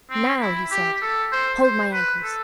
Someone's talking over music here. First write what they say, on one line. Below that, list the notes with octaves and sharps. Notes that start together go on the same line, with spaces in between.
"Now," he said, "hold my ankles."
C4
E4
G4
A4
C5
C5
B4
A4